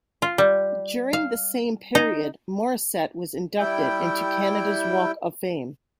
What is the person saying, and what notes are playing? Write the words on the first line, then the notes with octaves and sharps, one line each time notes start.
During the same period, Morissette was inducted into Canada's Walk of Fame.
F4
G3
F5
D#4
G3 E4 G5